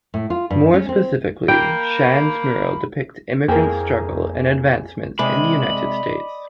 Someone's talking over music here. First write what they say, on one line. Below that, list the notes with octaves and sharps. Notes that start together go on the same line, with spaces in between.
More specifically, Shahn's mural depicts immigrants' struggle and advancement in the United States.
A2
F4
G2
C#4
C4
A#3 G5 B5 G6
F2 A#3 E4 G#4 A#4 G5
C3 G#3 D5 D#5 B5